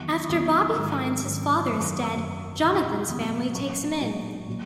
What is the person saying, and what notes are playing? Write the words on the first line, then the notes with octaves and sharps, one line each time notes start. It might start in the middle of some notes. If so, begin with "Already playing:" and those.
After Bobby finds his father is dead, Jonathan's family takes him in.
Already playing: E2 D#3 F#3 C#6
E2 D#3 F#3 D#6
G#2 D#3 F#3 E6
G#2 D#3 F#3
F#2 D#3 F#3 D#6
C#6
D#6
E6
F#2 D#3 F#3
E2 B2 F#3
E2 B2 F#3 D#6
A#2 F#3 C#6
A#2 F#3
A#2 F#3